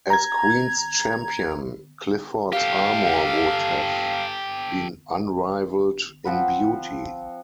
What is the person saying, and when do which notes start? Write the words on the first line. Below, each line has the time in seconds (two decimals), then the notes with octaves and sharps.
As Queen's Champion Clifford's armour would have been unrivaled in beauty.
0.10 A#5 G#6
2.52 G4 A4 F5
6.25 F3 C4 F#5 B5